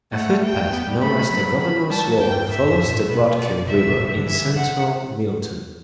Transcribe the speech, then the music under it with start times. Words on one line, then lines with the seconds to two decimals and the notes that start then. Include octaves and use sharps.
A footpath known as the Governors Walk follows the Broadkill River in central Milton.
0.13 A3 F#5
0.42 G5
0.73 B3
0.87 G3
1.02 A3 B5
1.31 F#3 B5
1.61 B5
1.90 G3 A5
2.05 F#3
2.20 G2 G5
2.49 G2 E5
2.64 F#2
2.79 G2
2.88 B2
2.94 A2
3.09 B2 B4
3.38 D5
3.67 C3 E5
3.87 B2
3.97 A2
4.08 C3
4.17 D3
4.27 E3 E5
4.42 D3
4.56 C3 F#5